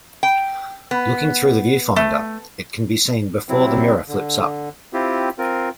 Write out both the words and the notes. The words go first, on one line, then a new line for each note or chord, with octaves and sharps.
Looking through the viewfinder, it can be seen before the mirror flips up.
G5
B3
A3
C3 F#3 C4 E4
D3
C4 E4 F4 G4
C4 F4 A#4